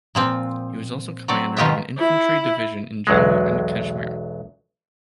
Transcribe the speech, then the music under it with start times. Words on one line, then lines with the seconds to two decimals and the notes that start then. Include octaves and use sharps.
He was also commander of an infantry division in Jammu and Kashmir.
0.15 A#2 F3 C4
1.28 F#3 C4 A4 D5
1.57 B2 D#3 F4 G4 D#5 E5
1.98 E4
3.07 B1 E2 F#3 G#3